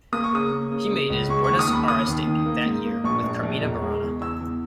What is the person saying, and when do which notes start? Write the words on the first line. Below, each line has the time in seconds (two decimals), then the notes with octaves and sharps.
He made his Buenos Aires debut that year with Carmina Burana.
0.12 A#3 D#6
0.24 C#6
0.32 C#3 D#6
0.51 A#3
0.71 C#3
0.91 C#3
1.10 C#2
1.29 G#3 C#6
1.44 D#2 C#6
1.59 D#6
1.68 D#2
1.73 B5
1.88 D#2 D#6
2.08 D#2
2.27 D#3
2.46 A#3
2.66 G#2
2.85 A#3
3.04 A#1 C#6
3.24 A#1
3.43 A#1
3.63 E1
3.82 G#3
4.02 E2
4.21 E2 E6
4.40 E2